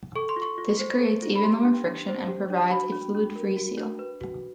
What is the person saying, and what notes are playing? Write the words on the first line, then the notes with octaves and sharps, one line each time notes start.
This creates even lower friction and provides a fluid-free seal.
A4 C#6
C6
F4
C#6
F4
C5
A4
F4
B5
G4 C6
D4
D4
C5
G4
D4
F#4 B5
D4
D4
A#4
F#4
D4
B4
F#4